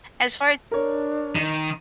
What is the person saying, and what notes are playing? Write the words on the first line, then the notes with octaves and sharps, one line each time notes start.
as far as
D4 A#4 C#5
D#3 D#7